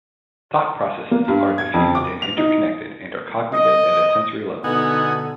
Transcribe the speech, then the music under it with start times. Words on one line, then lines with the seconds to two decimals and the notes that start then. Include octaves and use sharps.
Thought processes are diffused and interconnected and are cognitive at a sensory level.
1.11 A#3
1.28 G2
1.58 G#6
1.74 F2
1.95 D6
2.22 F7
2.38 D#4
3.52 D#5
4.64 B2 D3 B3 D#4 A4 F#5 G#5